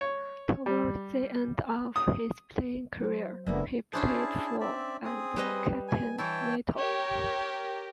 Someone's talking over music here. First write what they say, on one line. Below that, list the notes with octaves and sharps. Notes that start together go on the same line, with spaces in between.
Toward the end of his playing career, he played for and captained Natal.
C#5
G3
D#6
F#3 C5
F#1 D3 F3 G3 G#3 A#3 B3 E5
C#4 D4 E4 G#4 C5 A5
C4 D5 E5
C4 G#4 D#6
G3 B4 D#5
G#5
E3 E4 C#5 G5 A5
G4 A#4 C#5